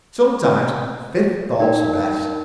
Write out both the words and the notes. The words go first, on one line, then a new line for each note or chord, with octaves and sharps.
Sometimes fifth thoughts are best.
D#4 A#4